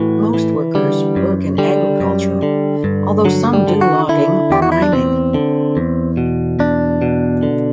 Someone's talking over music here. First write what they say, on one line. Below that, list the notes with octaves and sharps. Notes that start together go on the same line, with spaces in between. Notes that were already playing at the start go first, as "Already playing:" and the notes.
Most workers work in agriculture although some do logging or mining.
Already playing: A2 E3 F#4
E3
D3 G3
F#2
D3 G3
F#2
D3
G2
D3 F#3
G3
D3
F#4
D3 E4
E2 G4
F#4
E4
D4
E2 C4
D3
E2
B2
E2 D4
B2
D3